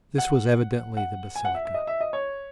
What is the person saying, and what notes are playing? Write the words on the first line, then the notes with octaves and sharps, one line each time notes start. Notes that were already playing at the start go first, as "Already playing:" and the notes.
This was evidently the basilica.
F#5
F#5
G#5
F#5
E5
E5
D#5
E5
D#5
C#5